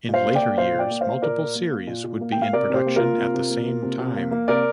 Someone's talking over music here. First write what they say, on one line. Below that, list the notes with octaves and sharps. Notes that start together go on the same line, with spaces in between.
In later years, multiple series would be in production at the same time.
A#2
C5 F5
A#3
D5 G5
A#3
A#2 C5 F5
A#2
D5 G5
A#3
A#3 C5 F5
A#2 A#4 D5
A#2
A#3
A#3
A#2
A#2
A#3
A#3 G5
F5
C3 A#4 D5
C3 G4 C5
A#3
F4 A#4
A#3
C3
C3
A#3
A#3
C3
C3
A#3
A#3
C3 A#4 D5